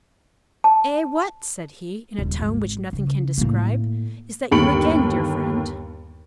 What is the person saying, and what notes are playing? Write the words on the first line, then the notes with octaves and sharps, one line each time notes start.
"Eh! what!" said he, in a tone which nothing can describe, "is that you again, dear friend?"
A5
D#1
G#1
C#3
A2 A#3
G1 D#2 B5 C#7 D7 F#7